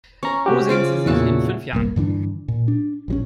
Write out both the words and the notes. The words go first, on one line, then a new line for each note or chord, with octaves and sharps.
Wo sehen Sie sich in fünf Jahren?
C#4 A#5 C#6
C3 F#4 G4
C#3 F4 C5 D6
E2 A#2 E4 F#4 A5
G1 C2 A#3
G2 D3 E3 D4
A#2
D4
A#1 F3 C#4